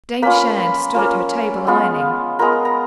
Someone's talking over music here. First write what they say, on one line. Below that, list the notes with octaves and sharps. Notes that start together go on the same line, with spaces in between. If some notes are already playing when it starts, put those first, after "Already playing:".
Dame Shand stood at her table ironing.
A#3 C#4 F4 B4 B5
A#3 C#4 F4
G#3 B3 F4
G#3 B3 F4 A#4 A#5
A#5